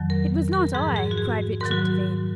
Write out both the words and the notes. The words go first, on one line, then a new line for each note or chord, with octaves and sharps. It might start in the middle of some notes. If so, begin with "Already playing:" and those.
"It was not I!" cried Richard Devine.
Already playing: F2 D#3 F#3
A#4
A#4
G#2 F3 G#4
G#4
F#4
G#4
G#2 D#3 F#3 A#4
F#4